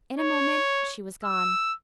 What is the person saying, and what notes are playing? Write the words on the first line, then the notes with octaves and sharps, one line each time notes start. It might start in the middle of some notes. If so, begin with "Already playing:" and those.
In a moment she was gone.
C#5
E6